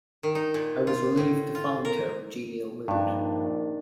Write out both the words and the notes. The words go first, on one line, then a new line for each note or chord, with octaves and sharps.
I was relieved to find her in genial mood.
D#3
D#4
A#2
F4
A2
F4
A#4
A#1 G2 D#3 D4